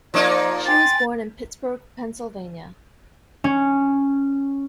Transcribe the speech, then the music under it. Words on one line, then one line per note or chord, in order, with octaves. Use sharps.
She was born in Pittsburgh, Pennsylvania.
F3 A#3 D#4 D5
G5 G#5 C6 A6
C#4